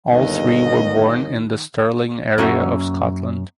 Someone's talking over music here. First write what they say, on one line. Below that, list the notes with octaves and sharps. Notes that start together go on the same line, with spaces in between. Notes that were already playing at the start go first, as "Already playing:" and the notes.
All three were born in the Stirling area of Scotland.
G1 D#2 D#3 D#4 D#5
F#2 A#3 C#4 F#4 E5